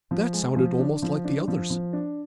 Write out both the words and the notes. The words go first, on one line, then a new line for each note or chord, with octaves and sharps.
That sounded almost like the others.
F3
G#3
F3
D4
F3
D4
F3
F3
D4